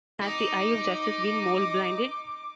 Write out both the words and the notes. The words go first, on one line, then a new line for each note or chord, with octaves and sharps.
Has the eye of Justice been mole-blinded?
D#4 D6